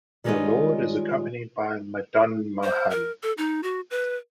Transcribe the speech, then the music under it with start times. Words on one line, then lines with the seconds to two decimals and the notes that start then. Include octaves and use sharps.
The Lord is accompanied by Madanmohan.
0.24 D#3 G3 G#3 F4 C#5 D#5
2.63 C5
2.90 A#4
3.23 A4
3.38 D#4
3.63 F#4
3.91 B4